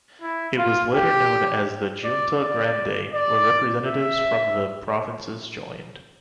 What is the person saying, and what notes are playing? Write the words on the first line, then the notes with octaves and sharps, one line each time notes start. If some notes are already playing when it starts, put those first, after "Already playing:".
It was later known as the "Junta Grande" when representatives from the provinces joined.
E4
F4
G4
D5
D5
D5
E5